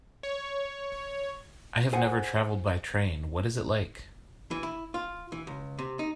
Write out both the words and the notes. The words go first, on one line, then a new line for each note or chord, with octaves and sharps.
I have never traveled by train, what is it like?
C#5
G#4 C5 F#5 G#5
E3
E4
F4
E3
C#2
C3
D#4